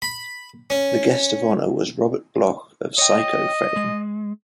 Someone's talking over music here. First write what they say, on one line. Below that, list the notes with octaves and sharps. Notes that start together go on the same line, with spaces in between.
The guest of honor was Robert Bloch of "Psycho" fame.
B5
C#4
C#5 D#5 G5
G#3